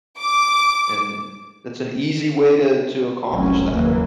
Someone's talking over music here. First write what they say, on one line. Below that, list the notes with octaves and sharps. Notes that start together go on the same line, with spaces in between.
and that's an easy way to to accomplish that.
D6
F1 C2 F#3 A3 C4 C#4
D#2 C#3 E3 F#3 A#3